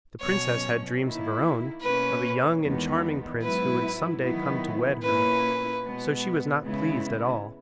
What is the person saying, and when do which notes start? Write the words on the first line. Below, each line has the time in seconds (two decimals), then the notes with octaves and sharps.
The princess had dreams of her own of a young and charming prince who would some day come to wed her, so she was not pleased at all.
0.20 B2 F#3 C#4 C#5
1.02 D#3 A#3 E4
1.81 B2 A#3 C#4 B4
2.61 E2 D#3 G#3 B3
3.42 G#2 F#3 B3 E4 B4
4.22 D#3 F#3 B3 E4
5.03 A#2 A#3 C#4 E4 B4
5.83 B2 G#3 B3
6.63 C#3 G#3 B3 E4